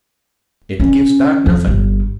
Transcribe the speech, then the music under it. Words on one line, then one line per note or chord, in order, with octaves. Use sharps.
It gives back nothing.
C#4
F2
G1